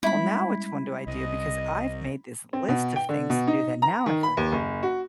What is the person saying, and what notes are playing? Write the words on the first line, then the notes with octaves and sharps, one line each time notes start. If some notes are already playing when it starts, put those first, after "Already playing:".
"Well, now which one do I do, because I've made this list of things to do that now I feel like
G3 G#3 C#4 E4 B5
C2 D#5
C4
B2
G5
D3
B2
D#4
A#5
D#3
B5
D#2
F#1
F#4